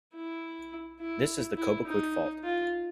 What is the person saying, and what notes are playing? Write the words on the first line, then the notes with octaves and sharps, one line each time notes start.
This is the Cobequid Fault.
E4
E4
E4
D#4
F4